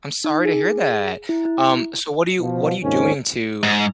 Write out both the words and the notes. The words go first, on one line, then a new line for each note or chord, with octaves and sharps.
I'm sorry to hear that, um, so, what are you what are you doing to
D#4
G#4
E4
E4
B2 F3
D#2 G#2 F3 C4 C#4
G#2